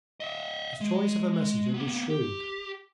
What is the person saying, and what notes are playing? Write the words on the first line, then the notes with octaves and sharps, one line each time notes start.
His choice of a messenger was shrewd.
D#5 E5
G#3
A#3 B3
G4